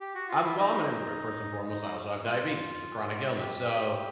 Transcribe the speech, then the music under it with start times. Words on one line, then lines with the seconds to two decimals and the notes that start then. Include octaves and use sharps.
I'm well, I'm an immigrant first and foremost, I also have diabetes, which is a chronic illness, so
0.01 G4
0.15 F#4
0.29 F4
0.43 E4
0.57 D#4
1.69 D#4
2.25 F4
3.37 G4